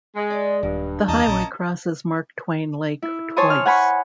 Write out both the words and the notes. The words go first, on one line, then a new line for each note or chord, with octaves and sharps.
The highway crosses Mark Twain Lake twice.
G#3
D5 D#5
D#1 G2 G#3
E2 D#5 A5 A#5
A#1 A3 A#3 C#4
E4
C#5 G#5 A5 C6 C#6 D#6
F6
F#5 G#5 B5 C#6